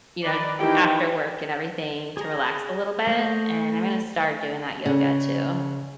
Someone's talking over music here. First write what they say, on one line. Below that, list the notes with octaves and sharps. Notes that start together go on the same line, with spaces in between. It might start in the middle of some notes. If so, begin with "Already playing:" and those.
you know, after work and everything to relax a little bit. And I'm gonna start doing that yoga too.
D#3 B4 D5
D#3 E3 E4 G4 G5
G#4 A#5
A3 C5 D#5
C#3